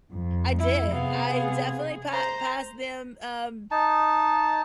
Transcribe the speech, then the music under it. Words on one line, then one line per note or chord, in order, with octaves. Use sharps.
I did, I definitely pa pass them um,
F2
E4
C3 B3 G#4 F5
C5 A#5
D#4 A5